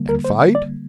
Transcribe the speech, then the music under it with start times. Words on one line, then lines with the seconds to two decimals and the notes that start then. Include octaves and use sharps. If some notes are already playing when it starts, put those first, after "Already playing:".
"And fight?"
Already playing: D3 G3 A#3
0.09 A#4
0.24 C5
0.55 D5